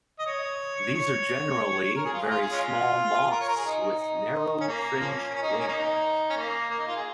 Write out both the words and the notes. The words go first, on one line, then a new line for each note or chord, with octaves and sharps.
These are generally very small moths with narrow, fringed wings.
D#5
C#5
C#5
A#4
G#4
F4
G#4
F4
G#4
G#3 C#4 F4
A#4
C#5
A#4
G#4
D#4
D#4
C#4
A#3
F3 A#3 C#4
C#4
D#4
A#3
C#4
A#3 D#4
C#4
A#3
A#3
D#4
F4
G#4